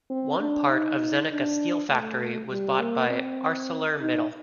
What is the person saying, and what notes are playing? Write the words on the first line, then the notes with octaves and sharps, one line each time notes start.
One part of Zenica steel factory was bought by Arcelor Mittal.
C4
D4
D#4
D4
A3
G3
A#3
C4
D#4